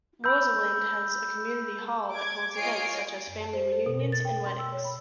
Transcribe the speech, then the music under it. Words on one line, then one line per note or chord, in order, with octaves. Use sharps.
Rosalind has a community hall that holds events such as family reunions and weddings.
B5 E6 G6
D6 G#6
F4 C#5 D#5 G#5 C7 D7
F#2
A5
C5
A4
B2
A#4
A6
G5
C6
E6
C#5
B5